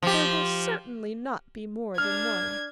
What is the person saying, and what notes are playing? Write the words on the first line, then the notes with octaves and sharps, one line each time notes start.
There will certainly not be more than one.'
F3 G4
D4 F6 G#6